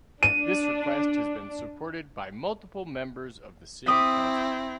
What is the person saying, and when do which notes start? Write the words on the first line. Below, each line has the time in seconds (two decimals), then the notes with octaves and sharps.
This request has been supported by multiple members of the city council.
0.23 D4 D#7
3.86 C4 E4 D6 D#6 B6